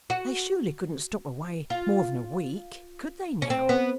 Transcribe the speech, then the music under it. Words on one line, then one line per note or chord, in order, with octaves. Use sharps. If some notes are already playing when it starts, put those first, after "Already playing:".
They surely couldn't stop away more than a week, could they now?'
F#4
F4
C#4
C4
B3